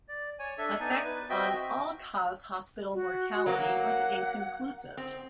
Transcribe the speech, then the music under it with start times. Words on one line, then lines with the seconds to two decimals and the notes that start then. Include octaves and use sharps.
Effects on all cause hospital mortality was inconclusive.
0.09 D5
0.39 C#5 G#5
0.58 D4 A4 E5
0.80 B3 D#4 D5 G#5
1.04 B4
1.30 C4 F#4 D#5 E5 G5
2.94 F#4
3.46 F#3 A#3 F#5
4.97 C4